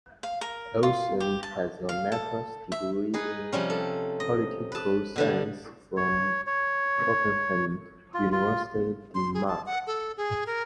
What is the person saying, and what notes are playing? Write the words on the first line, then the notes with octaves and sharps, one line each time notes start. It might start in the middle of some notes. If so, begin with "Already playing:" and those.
Olsen has a master's degree in political science from Copenhagen University, Denmark.
F5
A#4
F4
G4
A5
F5
A4
E5
D#4 G#4 B4
C3 F3 G3 C#4
A4
D#5
B4 A5
B2 D3 G3
C#5
C#5
F4
F4
C6
G#4
A5
F#5
A4
G#4
A#4